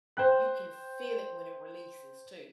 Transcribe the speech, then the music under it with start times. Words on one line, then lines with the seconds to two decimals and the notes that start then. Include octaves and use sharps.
you can feel it when it releases, too.
0.17 C5 G5 F#6